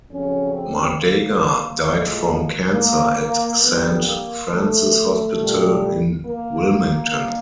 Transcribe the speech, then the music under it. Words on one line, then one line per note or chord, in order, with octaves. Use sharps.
Mardaga died from cancer at Saint Francis Hospital in Wilmington.
F2 C#3 F#3 C#4
C4
A#3
A2 F3 G#3
A#3
A#3
F2 D3 G3 B3
A#3
A3
A#2 G3
A#3